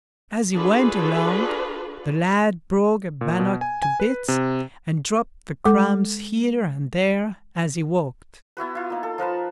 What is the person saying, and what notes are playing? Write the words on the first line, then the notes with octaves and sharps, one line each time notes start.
As he went along the lad broke a bannock to bits, and dropped the crumbs here and there as he walked.
D4 F4 F#4 G#4 A4 B4
A#2
B2
G#5
G#5
B4
C3
G#3 A4 D6
B3 E4 F#4 B4
E4 F4
A#3 D#4
A4
F3 A#4 B4 A5